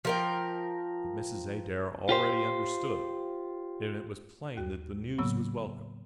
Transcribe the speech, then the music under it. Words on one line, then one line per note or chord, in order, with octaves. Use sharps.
But Mrs. Adair already understood; and it was plain that the news was welcome.
F3 A#4 G5
F4 G4 C5
D#2 F#4
A2 C#3 F#3 A#3 B3 E6